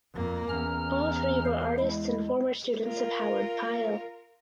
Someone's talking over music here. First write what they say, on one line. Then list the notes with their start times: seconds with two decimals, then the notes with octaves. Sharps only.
All three were artists and former students of Howard Pyle.
0.13 F2 A#3
0.50 E2 C#4 A#5 F6
1.46 C5 F5
1.79 G#3 E4
2.85 F4 A#4